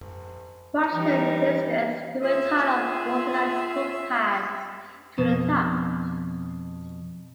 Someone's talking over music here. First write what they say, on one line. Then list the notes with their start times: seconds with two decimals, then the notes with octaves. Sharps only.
Washington residents who were tired of walking up footpaths to the top.
0.91 E3 G3 D#4
2.22 F4 G#4 E5
5.18 F2 B2